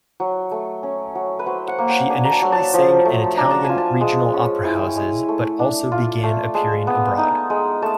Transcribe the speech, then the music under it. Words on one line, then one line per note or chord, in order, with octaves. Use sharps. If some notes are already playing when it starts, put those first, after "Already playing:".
She initially sang in Italian regional opera houses but also began appearing abroad.
F#3
A3
C#4
F#3
B4
F#3 C5
F#5
A#3
G5
D4 G#5
A#5
A5
F#3
A5
F3
A3
D4 A#5
A5
F4 G#5
A5
G#3
C#4
E4 G#5
G5
G#5
G#3
A3
D4
F4
A3
G#3 A5
B3
D#4
G#3
A3 A5